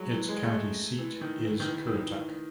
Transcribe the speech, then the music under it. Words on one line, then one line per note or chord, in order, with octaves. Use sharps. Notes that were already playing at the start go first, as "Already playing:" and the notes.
Its county seat is Currituck.
Already playing: F#3 G#3
E3
G#3
A3
G#3
E3
D#3
E3
D#3
E3
D#3
E3